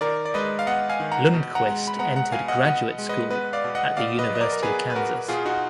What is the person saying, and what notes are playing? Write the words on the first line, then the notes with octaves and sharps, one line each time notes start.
Lundquist entered graduate school at the University of Kansas.
D#3 A#4 D5
D5
G#3 B4 D#5
F5
B3 D#5 F#5
F5 G#5
D#3
F#5 A#5
B2
F#5 A#5
G#3
B5
B3 F#5 A#5
F#5 A#5
B2 F5 G#5
D#5 F#5
B2 D#5 F#5
G#3
B4 D#5
B3 B4 D#5
D5 F5
B2
D#5 F#5
B2 D5 F5
B4 D#5
F#3 D#5
A#4 D5
A#4
B3 G#4 B4
B4
B2 F#4 A#4
B2 F4 G#4
D#4 F#4